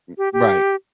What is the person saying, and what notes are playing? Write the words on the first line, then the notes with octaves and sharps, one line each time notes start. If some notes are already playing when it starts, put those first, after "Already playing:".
Mm, right.
G4
G4